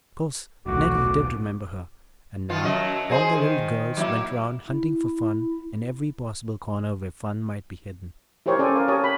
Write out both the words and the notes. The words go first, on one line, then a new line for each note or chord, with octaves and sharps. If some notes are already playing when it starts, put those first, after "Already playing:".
Of course Nettie did remember her, and now all the little girls went around hunting for fun in every possible corner where fun might be hidden.
D#1 B1 D3 A3 F#4 D6
D#3 B3 F4
F#2 F#3 D#5
G#4 C5
D#3
F#3 A#3 E4
E4
E4 G4 A#4 C5 C#5
C#4 A4 D5 G#5
A#4 F5
G4 A#4 C#5 A5 D#6
B5